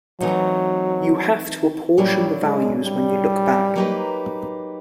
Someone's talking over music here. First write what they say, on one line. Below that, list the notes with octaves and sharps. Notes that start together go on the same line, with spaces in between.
You have to apportion the values when you look back.
E3 F#3 A3 C4 D#4 F#4
A2 F#3 G3 A#3 D4
G#3
G3
F#3 A#3 D#4 G4 B4